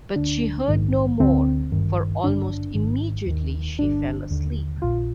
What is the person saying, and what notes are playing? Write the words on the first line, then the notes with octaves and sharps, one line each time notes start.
But she heard no more, for almost immediately she fell asleep.
D2 D3 D4
A#1 G#2 D#3
D2 D3 C4
G#1 G2 D#3
G#1 G2 D3 D4
G#1 G#2 D#3
D#2 D#3
G1 G2 D3 D4
D#2 D3
A#1 A#2 F4